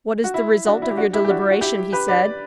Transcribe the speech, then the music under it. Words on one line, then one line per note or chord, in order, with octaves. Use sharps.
"What is the result of your deliberation?" he said.
F#4
E4
D4 F#4
E4
G4
D4 F#4
E4 G4
G4
D4 F#4
F#4
E4 G4
G4 B4
B4 D5